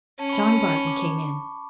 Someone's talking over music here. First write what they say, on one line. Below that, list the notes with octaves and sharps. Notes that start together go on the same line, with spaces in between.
John Barton came in.
C#4 A5
C#6
B5
A5
B5
C#6
D6
C#6